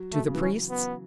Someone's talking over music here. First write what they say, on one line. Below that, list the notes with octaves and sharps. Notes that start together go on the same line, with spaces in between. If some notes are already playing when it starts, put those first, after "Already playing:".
"To the priests?"
Already playing: F#3
A3
C#3
E3
F#3 C#4
B3